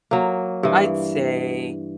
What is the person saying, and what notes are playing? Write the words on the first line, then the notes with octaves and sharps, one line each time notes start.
I'd say
F#3 A#3
G2 E3